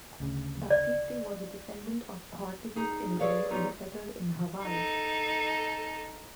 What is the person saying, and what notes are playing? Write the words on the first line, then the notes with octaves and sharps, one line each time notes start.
Baptiste was a descendant of Portuguese immigrants who settled in Hawaii.
D2 C#3
D5
D#4 G#4
G#4 A4 B4 C#5 D5 F5
F#3 G3 B3 D#4 F4
D#4 A4